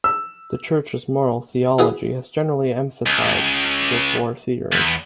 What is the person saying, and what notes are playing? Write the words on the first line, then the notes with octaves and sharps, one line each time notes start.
The Church's moral theology has generally emphasised just war theory.
E6
E4 F#4 G#4 B4
C#2
E2